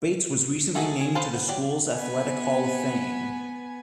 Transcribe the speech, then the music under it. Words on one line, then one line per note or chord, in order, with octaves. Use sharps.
Bates was recently named to the school's athletic hall of fame.
A3 D#4 F#4 G#4 A4
G#4
A4 B4 C5 F5 A5
B3
F#3 G4 D5
B3 G#5